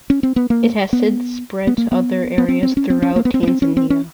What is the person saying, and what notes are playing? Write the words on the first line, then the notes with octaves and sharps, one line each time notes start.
It has since spread to other areas throughout Tanzania.
C#4
C4
B3
A#3
B3
B3
A#3
B3
B3
C4
C4
C#4
C4
C#4
A#3
B3
C4
B3
C4
C#4
C4
C#4